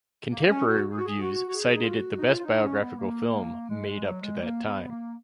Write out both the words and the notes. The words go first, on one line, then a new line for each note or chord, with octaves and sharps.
Contemporary reviews cited it the best biographical film made up to that time.
A#3
C#4
F#4
G#4
F#4
G#4
F#4
F#4
G#4
D#4
F4
F#4
D#4
F4
F4
D#4
C#4
B3
A#3
G#3
G#3
F#3
G#3
A#3
B3
A#3